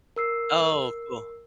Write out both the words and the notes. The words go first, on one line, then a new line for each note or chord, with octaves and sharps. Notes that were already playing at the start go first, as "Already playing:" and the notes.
Oh, cool.
A#4 E6 C7